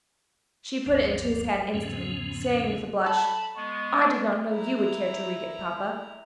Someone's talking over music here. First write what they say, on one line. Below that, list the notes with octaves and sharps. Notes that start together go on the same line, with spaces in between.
She put it into his hand instantly, saying, with a blush, "I did not know you would care to read it, papa."
F#1 D2 G2 F3
E2 G#2 C#3 F3 B3 C#4
A4 A5 B5
G#3 B3 C#6
E4 A#5